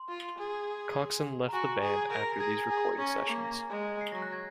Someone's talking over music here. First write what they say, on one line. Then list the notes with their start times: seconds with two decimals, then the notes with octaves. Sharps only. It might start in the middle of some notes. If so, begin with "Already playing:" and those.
Coxon left the band after these recording sessions.
Already playing: C6
0.09 F4
0.38 G#4
1.49 A#5
1.53 F#4 G#5
1.82 G#4 G#5
2.05 G#5
2.10 A#4 A#5
2.32 A#6
2.39 G#4 G#6
2.69 G#4
2.98 C#4
3.26 A#3
3.70 G#3
4.01 C7
4.12 F#3 A#6
4.22 F#6
4.33 G#6